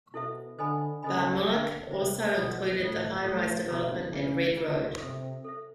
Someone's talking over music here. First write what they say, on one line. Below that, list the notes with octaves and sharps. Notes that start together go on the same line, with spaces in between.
Barmulloch also included the High rise development at Red Road.
B2 E4 A4 C5 E5
D3 A4 C5 D#5 G#5 B5
C#3 A4 C5 D#5 G#5 B5
D3 C5 E5 G5
C3 C5 E5 G5
B2 F4 A4 C5 D#5
A2 F4 A4 C5 D#5
A2 A4 C5 F5 A#5 C#6
B2 A4 C5 F5 A#5 C#6
C#3 D4 F4 G#4 B4 E5
D4 F4 G#4 B4 E5
C3 A4 C5 E5
A4 C5 E5